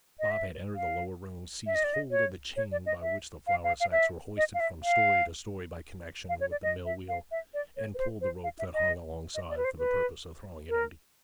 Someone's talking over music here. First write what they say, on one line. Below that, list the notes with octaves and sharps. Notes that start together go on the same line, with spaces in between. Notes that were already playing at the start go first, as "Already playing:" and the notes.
Bob had entered the lower room, seized hold of the chain by which the flour-sacks were hoisted from story to story by connexion with the mill-wheel, and pulled the rope that hung alongside for the purpose of throwing it into gear.
D#5
E5
F5
E5
D#5
D5
D#5
C#5
C#5
D5
D#5
E5
F5
F5
F5
E5
D#5
F5
E5
F5
F5
C#5
D5
D#5
E5
F5
E5
D5
C#5
B4
C5
C5
F5
E5
D#5
D#5
D5
B4
C5
B4
A#4